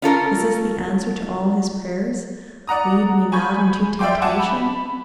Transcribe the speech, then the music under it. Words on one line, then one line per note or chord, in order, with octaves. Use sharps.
Was this the answer to all his prayers, "Lead me not into temptation"?
C#4 F4 A4 A#4
D5 F#5 A#5 D#6
G#5 B5 C#6 G6 G#6
D5 E5 F5 G5 C6 D6
E5 F#5 G#5 A5 D6
B5